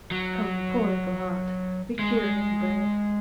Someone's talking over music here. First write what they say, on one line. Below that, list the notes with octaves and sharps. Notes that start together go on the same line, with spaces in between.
Come poor little heart! be cheery and brave.
F#3
G#3